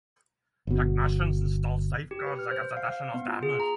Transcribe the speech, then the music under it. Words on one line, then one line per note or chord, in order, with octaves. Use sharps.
Technicians installed safeguards against additional damage.
G1 B2
G4
B4
F6
C5
F5
F5
B3
F4
G#4
A#5